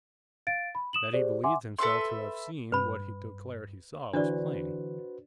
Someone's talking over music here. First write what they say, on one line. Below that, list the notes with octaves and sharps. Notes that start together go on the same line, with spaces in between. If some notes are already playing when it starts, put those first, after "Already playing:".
That he believed himself to have seen what he declared he saw was plain.
F5 A6 D7
B5
D#6 E7 F#7
G4 G#4 C5 D5
E5 F#5 G#5 C6 D6
A4 B4 E5 C6
G2 B4 B5
D3 E3 D4 F#4 B4 C5 D5